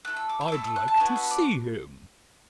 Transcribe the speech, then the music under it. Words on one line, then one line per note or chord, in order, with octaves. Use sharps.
"I'd like to see him."
A3 E4 A4 F#6
E6
D6
E6
D6
A3 E4 A4 E6
E6
F#6
A5
B3 D4 F#4 A4 G#5
E5
D5